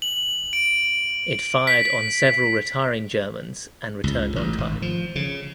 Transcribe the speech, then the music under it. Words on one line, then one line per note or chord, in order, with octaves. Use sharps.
It fired on several retiring Germans and returned on time.
F#7
D7
B6
C#2
A1
G#1
F3
C#3